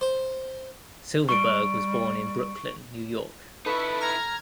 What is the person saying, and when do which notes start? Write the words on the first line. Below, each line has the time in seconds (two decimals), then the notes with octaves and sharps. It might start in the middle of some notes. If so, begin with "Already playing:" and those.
Silverberg was born in Brooklyn, New York.
0.01 C5
1.29 G3 C#6 D7
3.66 D#4 E4 A4 B4 B5 C#6
4.01 A#5 F6 G#6